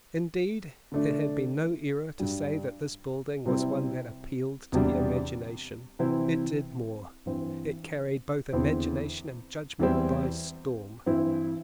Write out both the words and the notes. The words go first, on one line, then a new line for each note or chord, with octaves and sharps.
Indeed it had been no error to say that this building was one that appealed to the imagination; it did more--it carried both imagination and judgement by storm.
D3 A3 D4
G2 G3 D4
C3 G3 C4 E4
E2 C3 G3 D4
C3 E3 C4 E4
G2 E3 C4
E2 D3 C4 E4
E2 E3 G3 C4 E4
G2 E3 C4 E4